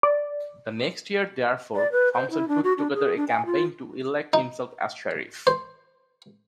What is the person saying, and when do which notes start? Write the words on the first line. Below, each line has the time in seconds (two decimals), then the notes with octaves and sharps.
The next year, therefore, Thompson put together a campaign to elect himself as Sheriff.
0.03 D5
1.76 D5
1.92 B4
2.14 C5
2.31 E4
2.48 D4
2.64 F#4
2.78 D4
2.94 G#4
3.17 D4
3.29 G#5
3.46 F4
4.33 D#4
5.47 C5